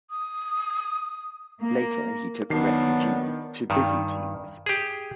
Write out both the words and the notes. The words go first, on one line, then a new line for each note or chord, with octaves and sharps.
Later he took refugee to Byzantines.
D#6
A#3
D#3 F#3 B3 D4 C7
G2 D#3
G4 G#4